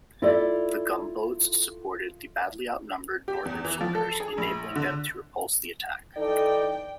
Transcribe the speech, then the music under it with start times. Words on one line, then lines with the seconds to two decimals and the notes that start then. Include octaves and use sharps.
The gunboats supported the badly outnumbered Northern soldiers enabling them to repulse the attack.
0.22 E4 F4 A4 D5
3.28 G4
3.45 E2
3.65 E3
3.81 F3
3.95 A4
4.20 G#4
4.38 A#1
4.76 D3
6.17 E3 D#4 A4 D5 G5